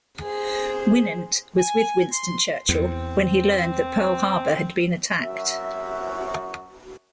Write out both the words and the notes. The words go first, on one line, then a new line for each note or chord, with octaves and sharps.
Winant was with Winston Churchill when he learned that Pearl Harbor had been attacked.
G#4 C5
G#5
C6
E2 C4
F#2 F#4 E5